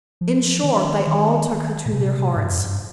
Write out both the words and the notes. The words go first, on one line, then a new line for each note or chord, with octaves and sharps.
In short they all took her to their hearts.
F3
D#3
D#3
A#2
C3
G#2
G2
F2
G2